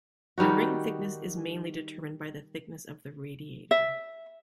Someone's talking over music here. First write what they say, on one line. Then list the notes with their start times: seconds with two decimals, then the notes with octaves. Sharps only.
The ring thickness is mainly determined by the thickness of the radiator.
0.38 D#3 G3 D#4 F#4
3.71 E5